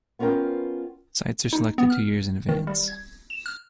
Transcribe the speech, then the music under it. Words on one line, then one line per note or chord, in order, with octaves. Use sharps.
Sites are selected two years in advance.
B3 C#4 F4 A#4 G5
D#4
B3
F6
D#3
G3
G#6
E7
F6